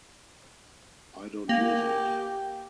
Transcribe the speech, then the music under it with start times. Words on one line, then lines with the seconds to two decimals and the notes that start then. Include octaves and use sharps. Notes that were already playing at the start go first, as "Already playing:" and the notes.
I don't use it.
1.49 A#3 G4